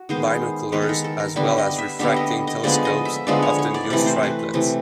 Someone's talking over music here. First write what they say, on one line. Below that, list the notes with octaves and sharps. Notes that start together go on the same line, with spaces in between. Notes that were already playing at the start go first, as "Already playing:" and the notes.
Binoculars as well as refracting telescopes often use triplets.
Already playing: F#4
D#3 G#3 B3 C5
D#3 G#3 B3 B4
A4
A#4
A4
A#4
D3 G3 B3 E5
D#5
E5
D3 G3 B3 E5
D#5
D#5
D3 F3 G#3 B3 D5
D#5
E5
D3 F3 G#3 B3 D5
C#5
C#5
D5
C3 E3 A3 D5
C5
B4
C3 E3 A3